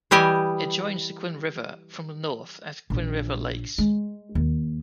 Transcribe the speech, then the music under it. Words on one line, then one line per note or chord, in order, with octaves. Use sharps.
It joins the Quinn River from the north at Quinn River Lakes.
E3 G3 G4 D#5 G#5
A#1
G#3
D#2